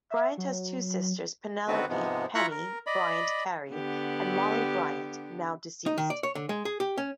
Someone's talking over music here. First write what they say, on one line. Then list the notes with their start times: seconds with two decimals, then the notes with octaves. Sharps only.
Bryant has two sisters, Penelope "Penny" Bryant Carey, and Molly Bryant, now deceased.
0.10 E5
0.38 F#3
1.68 D3 D#3 B3 C4 F#4 B4
1.89 G#2 C3 F3 G#3 B3
2.35 E4 F4 A#5 B5 C#6 F#6
2.51 A#4
2.86 D5 D#5 B5
3.70 D3 B3 G4
5.86 D#4
5.98 D#3
6.10 D5
6.23 C#5
6.35 D3
6.49 G#3
6.65 G#4
6.80 G4
6.98 C#4